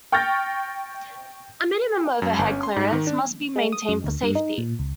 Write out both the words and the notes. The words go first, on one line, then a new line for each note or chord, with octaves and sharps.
A minimum overhead clearance must be maintained for safety.
G5 C#6 F6 G6 A6 A#6
F#2
G1
C#4
C6
G#2
D#3
D4
G#3
D#6
F#2
D2
G2
D#4
A#2
C#2